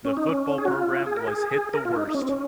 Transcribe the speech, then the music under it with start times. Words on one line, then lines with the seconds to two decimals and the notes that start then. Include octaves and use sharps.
The football program was hit the worst.
0.05 C#4
0.17 D#4
0.29 C#4
0.58 G#4
0.65 F#4
0.72 F4
1.06 G#4
1.17 A#4
1.28 G#4
1.74 A#4
1.85 F4
1.96 D#4
2.08 D#4
2.15 C#4
2.22 C4
2.29 C#4